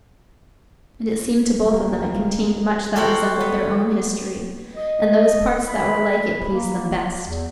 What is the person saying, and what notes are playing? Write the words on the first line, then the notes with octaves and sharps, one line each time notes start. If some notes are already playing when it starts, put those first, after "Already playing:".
And it seemed to both of them it contained much that resembled their own history; and those parts that were like it pleased them best.
C#2 G3 G#3 A#3
F#4 G4 A4 A#4 C5 F#5
B3
D#5
B5
A#3
E2